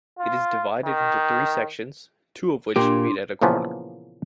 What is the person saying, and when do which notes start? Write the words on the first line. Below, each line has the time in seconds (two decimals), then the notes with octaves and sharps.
It is divided into three sections, two of which meet at a corner.
0.19 F4
0.85 D#3
2.76 A#2 A#3 D4 G4 C6
3.42 A#2 C#3 E3 F3 A#3 B3